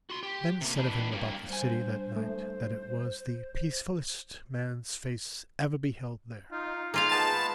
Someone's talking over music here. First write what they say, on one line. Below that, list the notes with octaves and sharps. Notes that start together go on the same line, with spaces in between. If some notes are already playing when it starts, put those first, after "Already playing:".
Men said of him about the city that night that it was the peacefullest man's face ever beheld there.
F#4 C6
G4
C3 A#3
E3 D4
G2 A#3
G2 C5 G#5
A3 C5
D#4 F4
A#3 D#4 F4 G#4 F5
G#3 B3 A5 A6
B5